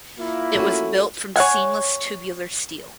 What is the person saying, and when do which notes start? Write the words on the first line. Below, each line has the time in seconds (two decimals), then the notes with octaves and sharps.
It was built from seamless tubular steel.
0.19 A#3 E4 F4
0.56 A3 C#4 F#4
1.36 C#5 F5 F#5 G#5